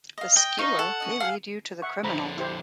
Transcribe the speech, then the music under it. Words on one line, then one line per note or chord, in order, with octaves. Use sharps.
The skewer may lead you to the criminal.
D#5 F5
D#5 G5
D#4 F5 C#6
A4 F#5
C#4 F#4 D#5
G#4 A4 F5
E5 F#5 C#6
F2 D3 C5 A#5 B5
E4 G4 C5